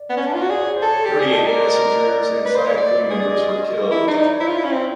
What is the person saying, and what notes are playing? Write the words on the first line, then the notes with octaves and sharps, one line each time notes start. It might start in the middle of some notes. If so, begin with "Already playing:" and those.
Thirty-eight passengers and five crew members were killed.
Already playing: D5
B3
C#4
D4
F4
F#4
G#4 D5
C#5
C5
A4
C#5
G4
G#4 D5
A4 D#5
A#4 D5
D#5
D5
C#5
D5
D#5
B4
C5
C#5
D5
G#4 D5
D5
D#5
E4
D#4 D5
C#5
C#5
E4 C5
F4
E4
C#4
C4